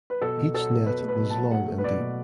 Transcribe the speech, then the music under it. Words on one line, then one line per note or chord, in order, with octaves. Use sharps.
Each net was long and deep.
B4
B2 A4
B2
F#3 A4
B2
B2 B4
A3
B4
B2
F#3 A5
A3 F#5
A3
B4
B2 D5
B2